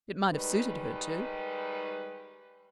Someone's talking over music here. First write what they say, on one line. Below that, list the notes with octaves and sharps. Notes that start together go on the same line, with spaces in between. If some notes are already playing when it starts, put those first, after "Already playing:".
It might have suited her too.
D#3 G3 G#3 D#4 B4